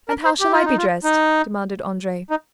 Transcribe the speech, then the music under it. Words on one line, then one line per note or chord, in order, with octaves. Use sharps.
"And how shall I be dressed?" demanded Andrea.
A#4
C5
G4
F4
D#4
F4
D#4
D#4